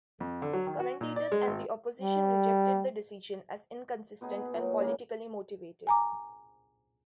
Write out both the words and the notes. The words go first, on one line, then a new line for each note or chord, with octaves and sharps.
Commentators and the opposition rejected the decision as inconsistent and politically motivated.
F2
D3
F#3
D#3
F#4
A#2
D5
G#3
G#1
G3
B2 B3 D#4 G#4
A#2 F#3
C#3 E3 A#3
G#5 A#5 D6